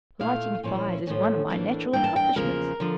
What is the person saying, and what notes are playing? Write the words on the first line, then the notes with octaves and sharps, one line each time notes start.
Lighting fires is one of my natural accomplishments.'
A#2 A3 E4 F5
A#2 F3 C#4 E4
A2 F3 A3 C#4
A2 E3 A#3 D4
G2 E3 A#3 D4 G5
A5
G5
E2 C#3 F3 A#3 A#4
D3 F3